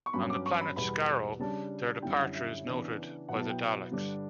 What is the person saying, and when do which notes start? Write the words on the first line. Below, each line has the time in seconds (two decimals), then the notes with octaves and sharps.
On the planet Skaro, their departure is noted by the Daleks.
0.06 C#6
0.13 G2 F#3 C#4 B5
0.30 D6
0.46 C#6
0.61 B5
0.76 E2 B2 G3 B5
1.39 C#3 G3 D4 A5
2.02 F#2 D3 G3 C#4 E4 G5
2.19 F#5
2.34 E5
2.66 C#3 E3 B3 D4
3.29 B2 F#3 B3 E4 F#5
3.39 A5
3.50 G5
3.91 G2 D3 G3 D4